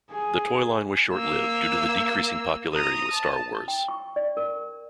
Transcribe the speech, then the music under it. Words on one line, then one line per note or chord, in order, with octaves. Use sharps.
The toy line was short lived due to decreasing popularity with Star Wars.
G#4
A#3 E6
A#5 D#6
A5
G5
C#6
D5
A#4